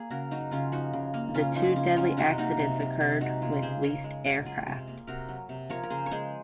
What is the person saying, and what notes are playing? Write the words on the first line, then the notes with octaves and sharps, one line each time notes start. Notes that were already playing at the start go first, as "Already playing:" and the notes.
The two deadly accidents occurred with leased aircraft.
Already playing: A#3 G#4
C#3 F#4 A#4
F#3 D#4 F#4
C#3 C#4 F4
F3 D#4 F#4
C#3
A#3
C#3 C#4 F4
F3 D#4
C#3 C#4
F#3 C#4 F4
C3 D#4 F#4
A#3 D#4 F#4
C3
F#3
C3
G#3 D#4 F#4
G#3 F4 G#4
C#3 G#4 C5
C#3 A#4 C#5
G#3
G#3 F#4 A#4
F#3 F4 G#4
C3
A#3
C3 F#4 A#4
F#3
C3
F3 A#4 C#5
A#4
C#3 G#4 C5
C#5
G#3 G#4 C5